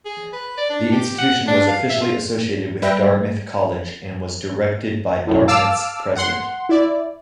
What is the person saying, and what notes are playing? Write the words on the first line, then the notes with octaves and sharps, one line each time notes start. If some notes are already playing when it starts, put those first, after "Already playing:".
The institution was officially associated with Dartmouth College and was directed by Dartmouth's president.
G#4
B4
D5
D4
G4
F#5
D4
F5
E5
F4
G3 B4 E5 G5 A#6
B1 F#2 A2
F5 A5 D6 E6 F6
F#5 C6
E4 D5